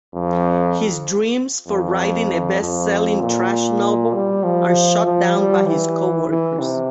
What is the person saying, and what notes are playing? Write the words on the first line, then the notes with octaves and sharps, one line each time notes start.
His dreams for writing a best-selling trash novel are shot down by his co-workers.
F2
F2
F2
A#2
G3
F3
F3
G3
E3
E3
C3